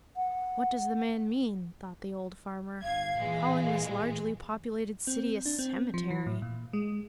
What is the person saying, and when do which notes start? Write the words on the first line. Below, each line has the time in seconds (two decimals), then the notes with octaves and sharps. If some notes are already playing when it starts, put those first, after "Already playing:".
"What does the man mean," thought the old farmer, "calling this largely populated city a cemetery?"
0.16 F#5
2.82 G1 F5 G#6
3.17 A#2 E3 G#3
5.07 C4
5.46 D4
5.59 C4
5.94 F3
6.10 E3
6.26 A2
6.42 A#2
6.73 G#3